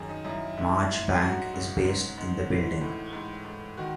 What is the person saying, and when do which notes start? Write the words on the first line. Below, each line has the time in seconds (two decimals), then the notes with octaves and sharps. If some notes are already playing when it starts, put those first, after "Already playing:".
Maj Bank is based in the building.
Already playing: F#2 D#3 G#4
0.09 D#4
0.24 F#2 E4
0.57 G#2 E4
0.89 G#2
1.21 F#2 F#4
1.53 C#3
1.85 G#2
2.18 G#2
2.49 E3
2.81 A2
3.13 G#2
3.45 G#2
3.77 D#3 F#4